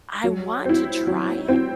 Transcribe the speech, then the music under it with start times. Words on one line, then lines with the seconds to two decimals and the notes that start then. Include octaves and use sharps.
I want to try it,
0.24 F#3
0.65 C4 E4
1.07 F#3
1.48 C4 E4